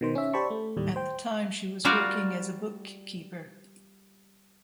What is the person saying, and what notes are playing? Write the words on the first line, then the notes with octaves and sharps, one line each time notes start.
At the time she was working as a bookkeeper.
B2 D#3 C5
C#4 E5
G4 C5 D5 A5 B5 C#6
A3
D#2 A2 G3
C5 G5
G3 F4 F#4 A#4 D5